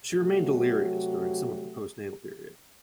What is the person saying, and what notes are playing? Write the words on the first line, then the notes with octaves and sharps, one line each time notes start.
She remained delirious during some of the postnatal period.
C3 F#3 A3 F#4 G4